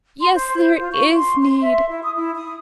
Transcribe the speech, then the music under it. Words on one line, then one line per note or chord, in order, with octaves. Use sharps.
"Yes, there IS need!"
C6
C5
C5
F4
C#6
C6
C6
E5
E4
D#6
E4
D#6